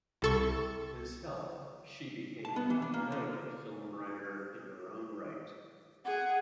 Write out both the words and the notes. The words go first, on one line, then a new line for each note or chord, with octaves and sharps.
With his help, she became a noted film writer in her own right.
C2 A4 C#6
A5
B3
E3
D4
A#3
D3
G#4 F#5